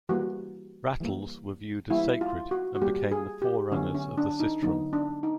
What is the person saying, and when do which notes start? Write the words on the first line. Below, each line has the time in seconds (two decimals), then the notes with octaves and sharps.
Rattles were viewed as sacred and became the forerunners of the sistrum.
0.09 E3 G3 A#3 F#4
1.00 E3 G3 A#3
1.90 E3 G3 A#3 E4
2.21 F4
2.51 F#4
2.75 F#4
2.81 E3 G3 A#3 G4
3.11 G#4
3.42 G4
3.72 D3 F#3 B3 C#4
3.95 C#4
4.18 D4
4.40 D#4
4.62 D3 F#3 B3 D#4
4.93 D4
5.23 D#4